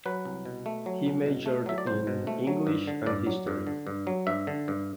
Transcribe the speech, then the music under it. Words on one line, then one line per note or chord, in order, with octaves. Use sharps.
He majored in English and History.
F#3 B4
C2
B2
A3
F#3
C2
B2
A3
F#3 E5
D5
C2 C5
B2
A3
F#3
G2
D3
G2 D5
F#3
G2
D3
G2
F#3
G2 E5
D3
G2